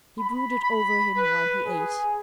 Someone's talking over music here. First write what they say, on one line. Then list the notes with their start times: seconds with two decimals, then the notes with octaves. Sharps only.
He brooded over him while he ate.
0.19 B5
0.62 B5
1.17 B4
1.67 G#4